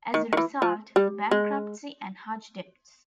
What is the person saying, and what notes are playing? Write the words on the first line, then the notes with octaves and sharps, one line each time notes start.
As a result, - bankruptcy and huge debts.
D#3
D#3
E3
F3
G3
G#3